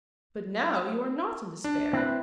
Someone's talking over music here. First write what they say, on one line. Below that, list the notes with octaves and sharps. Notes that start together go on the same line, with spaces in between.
"But now you are not in despair."
D4
C4 E4 B4